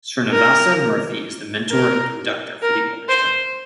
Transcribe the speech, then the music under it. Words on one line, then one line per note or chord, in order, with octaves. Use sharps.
Srinivasa Murthy is the mentor and conductor for the orchestra.
A#4
A#4
A#4
C5